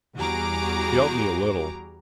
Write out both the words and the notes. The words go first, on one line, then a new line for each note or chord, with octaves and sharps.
He helped me a little.
E2 G3 F#4 G#4 A#5 D6